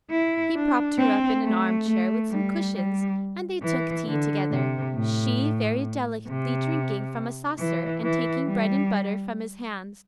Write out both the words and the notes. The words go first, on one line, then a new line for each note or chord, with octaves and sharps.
He propped her up in an armchair with some cushions, and they took tea together, she very delicately drinking from a saucer and taking bread and butter from his hands.
E4
D4
C4
A3
A3
G3
G3
E3
D3
C3
A2
C3
E3
E3
G3